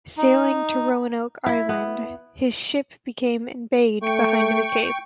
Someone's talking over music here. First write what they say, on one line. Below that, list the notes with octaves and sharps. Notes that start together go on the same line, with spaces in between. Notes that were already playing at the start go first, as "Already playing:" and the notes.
Sailing to Roanoke Island, his ship became embayed behind the cape.
D#4
E4
B3
A3 G5 C#6